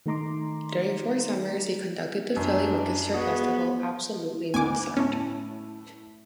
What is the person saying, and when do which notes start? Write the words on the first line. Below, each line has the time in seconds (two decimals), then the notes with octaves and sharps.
During four summers, he conducted the Philly Orchestra Festival "Absolutely Mozart".
0.06 D#3 A3 D#4 A#5 C6 D6
2.36 F#2 D4
3.14 B3 F#4 G#4
4.54 D2 G#5 D6
4.97 A2 C#4 E4 A5